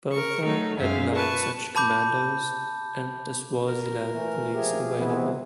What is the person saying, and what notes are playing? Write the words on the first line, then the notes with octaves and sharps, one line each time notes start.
Botha had nine such commandos and the Swaziland Police available.
A#4 C#6
F#3 A3 D#4
F#2 G#3 E5 F5
B4 A5 C#6
A5 B5 D6 G6
A#4
E3 A3
F3 A3 G4 G#4
C3 E3 G#3 B3 C4